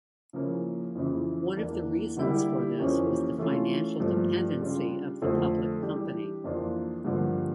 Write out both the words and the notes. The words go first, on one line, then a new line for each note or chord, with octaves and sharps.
One of the reasons for this was the financial dependency of the public company.
C#3 F3 A#3 C#4 E4
F2 C#3 E3
E2 E3 A#3 D4
D3 G3 A#3 E4 G4
F2 E3 A#3 C#4 G4
E3 A3 C#4 F4
G2 F3 A3
C#3 G3 D4 F4
F2 D3 A3
E3 G3 D4 G4
F2 E3 A#3 D4 F4
G2 D3 F3 A#3